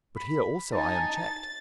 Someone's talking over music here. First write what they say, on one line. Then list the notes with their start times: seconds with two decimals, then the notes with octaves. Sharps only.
But here also I am checked.
0.17 B5
0.73 D#4 G#5 A5
1.18 A6